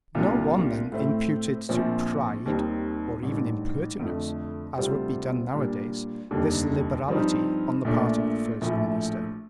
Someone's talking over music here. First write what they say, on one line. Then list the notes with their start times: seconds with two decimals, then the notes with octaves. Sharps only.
No one then imputed to pride, or even impertinence, as would be done nowadays, this liberality on the part of the first minister.
0.15 C2 A#2 G3 D4 F4
0.92 A2 A3 C4
1.69 A#1 A#2 F3 C4
2.46 D#2 D#3 G3 C4 D#4
3.23 A1 G2 D#3
4.00 F2 D3 F3 A3
4.77 D2 C3 G3 C4 F4
5.54 A#2 G3 D4
6.31 F1 D#2 D3 G3
7.08 G2 F3 C4 D#4
7.85 A#1 A#2 A3 D4
8.61 A#1 A2 F3 A3